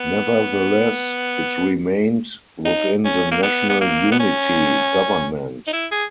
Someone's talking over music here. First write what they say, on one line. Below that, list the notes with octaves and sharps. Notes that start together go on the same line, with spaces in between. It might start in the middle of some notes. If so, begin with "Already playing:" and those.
Nevertheless, it remained within the national unity government.
Already playing: B3
D#4
C#4
A#3
B3
B3
A#3
B3
C#4
D#4
E4
G#4